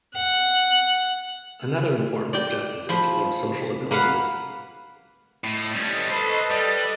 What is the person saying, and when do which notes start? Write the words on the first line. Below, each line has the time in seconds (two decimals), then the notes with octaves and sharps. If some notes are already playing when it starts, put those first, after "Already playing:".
Another important objective is to learn social abilities.
0.14 F#5
2.33 D5 G5
2.89 F3 B5
3.91 A#3 B4 F5 F#5
5.44 A2 D#5
5.75 G3 C#4 A4 B4 D#5
6.10 C5 B5
6.51 G3